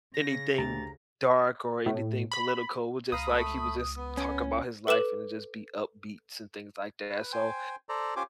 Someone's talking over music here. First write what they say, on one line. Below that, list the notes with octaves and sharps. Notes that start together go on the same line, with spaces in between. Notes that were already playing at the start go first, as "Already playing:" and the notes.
anything dark or anything political, it was just, like, he would just talk about his life and just be upbeats and things like that so
C#3 A#6
D2 G4 A#5 A6
A2
B5
C#2 F5 A#5 B5 D#6
A3 B5
B3
C#4
A4 B4 D6 E7 F#7
B4
C5 G5 G#5
A4 C5 D5 A#5
C#4 F4 G4 C5 G#5 D6